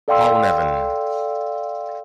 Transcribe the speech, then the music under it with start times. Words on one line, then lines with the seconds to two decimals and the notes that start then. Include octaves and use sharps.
Paul Nevin.
0.08 A4 D5 F5 G5 C6 E6